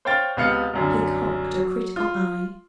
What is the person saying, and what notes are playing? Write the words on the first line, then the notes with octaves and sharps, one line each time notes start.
He cocked a critical eye.
C5 C#5 F5 G5 F6 A6
C#2 C3 B3 F5 F6 C#7
C2 F#2 D3
F#3
F4 C6